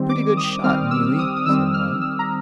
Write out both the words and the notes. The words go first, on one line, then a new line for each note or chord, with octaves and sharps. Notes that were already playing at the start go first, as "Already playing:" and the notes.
"A pretty good shot, Mealy!" said one.
Already playing: D#3 G3 C4
D6
D#6
D#3 G3 C4 F6
E6
D#6
D#6
D#3 G3 C4 E6
F6
E6
A#5